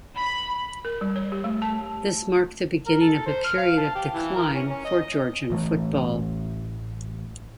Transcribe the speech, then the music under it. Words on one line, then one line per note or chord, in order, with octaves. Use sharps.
This marked the beginning of a period of decline for Georgian football.
B5
A#4
G3
C#5
G4
A3
A5
A#4
A4
C5
F6
F5
A5
G4
E3
A#4
C#4
C#4
D#5
A1 E3 A3